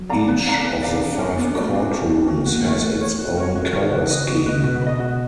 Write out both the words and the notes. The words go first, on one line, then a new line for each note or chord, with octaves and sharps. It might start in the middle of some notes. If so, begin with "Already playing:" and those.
Each of the five court rooms has its own color scheme.
Already playing: F#3
D5 F5 A#5
B3 B4
C4 D5 F5 A#5
C4 B4
D5 F5 A#5
D4
F#4 A#4
B3 D4
F#4 A#4
A3
C4 D4
F#4 A#4
D4
F#4 A#4
A#3 F#4
A3 A#4 C#5
A3 F#4
A#4 C#5
F#4
A#4 C#5
G#3 F#4
D#3 A#4 C#5
C#3 F#4
B4 D#5
F#4
B4 D#5
B2 F#4
B4
D#5
F#4